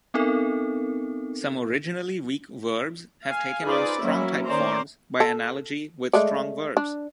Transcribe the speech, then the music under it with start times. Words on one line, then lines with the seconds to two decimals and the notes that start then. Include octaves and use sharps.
Some originally weak verbs have taken on strong-type forms by analogy with strong verbs.
0.14 B3 C4 D#4 A4 A#4
3.25 F5 G#5
3.62 D#4 F4 G#4 B4 C5 D5
3.99 F#3 A#3 C#4 E4
4.46 D#3 C#4 C5 D5 A#5
5.20 A4
6.13 G#3 A3 D5
6.77 D4